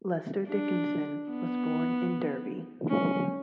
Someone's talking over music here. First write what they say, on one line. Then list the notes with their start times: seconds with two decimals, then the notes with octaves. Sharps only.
Lester Dickinson was born in Derby.
0.49 D4
1.29 B3
2.88 C#4